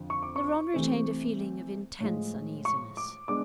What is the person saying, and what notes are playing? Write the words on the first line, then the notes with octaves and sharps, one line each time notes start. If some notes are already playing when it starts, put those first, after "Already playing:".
Laurent retained a feeling of intense uneasiness.
Already playing: F2 D3 F3
C#6
D6
C#6
C3 E3 A3 C4
A2 F3 G#3
C#6
D6
G#3 B3 D4 D6